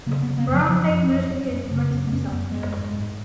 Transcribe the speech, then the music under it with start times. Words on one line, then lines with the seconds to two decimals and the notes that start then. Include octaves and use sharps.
Brown played most of the instruments himself.
0.06 C#3 A#3
0.22 B3
0.27 C#3
0.37 A#3
0.48 F#2
0.53 F3
0.69 F#2 F3
0.88 F#2
1.09 F#2
1.30 F#2
1.50 F#2
1.71 C#3
1.91 F#2 B3
2.11 F#2 C#4
2.31 F#2 B3
2.52 G#2 G#3
2.72 G#2
2.93 G#2